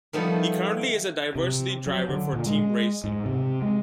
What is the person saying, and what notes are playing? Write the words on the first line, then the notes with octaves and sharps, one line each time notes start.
He currently is a diversity driver for Team Racing.
D#3 F3 G3 A3 B3 E4
C3
F#3
D3
A#2
G#3
G#2
C3
G#3